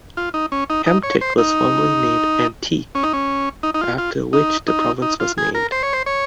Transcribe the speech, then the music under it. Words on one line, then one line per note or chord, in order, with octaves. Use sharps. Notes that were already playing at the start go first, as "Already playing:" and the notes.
Hamtic was formerly named "Antique", after which the province was named.
F4
D#4
C#4
D#4
D#4
C#5
C5
D#4
C#4
D#4
C#4
D#4
D#4
F4
F4
D#4
D#4
D#4
F4
G#4
A#4
C5
C#5
C5
C#5